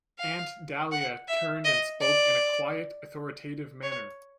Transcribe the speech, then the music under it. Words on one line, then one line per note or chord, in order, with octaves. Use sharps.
Aunt Dahlia turned and spoke in a quiet, authoritative manner.
F5
F#5
E5
D#5
D5
C#5